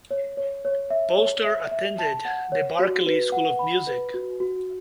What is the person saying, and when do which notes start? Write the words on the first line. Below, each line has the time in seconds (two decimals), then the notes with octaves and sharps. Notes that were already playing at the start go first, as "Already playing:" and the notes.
Poster attended the Berklee School of Music.
0.11 C#5
0.37 C#5
0.65 C#5
0.90 E5
1.18 C#5
1.44 E5
1.71 E5
1.99 A5
2.25 F#5
2.52 C#5
2.79 F#4
3.06 B4
3.32 F#5
3.59 B5
3.87 B4
4.14 F#4
4.40 F#4